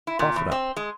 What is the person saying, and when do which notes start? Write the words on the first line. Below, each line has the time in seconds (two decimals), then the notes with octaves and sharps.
Cough it up.
0.07 E4
0.19 A#2
0.36 E2
0.52 C4
0.77 G#3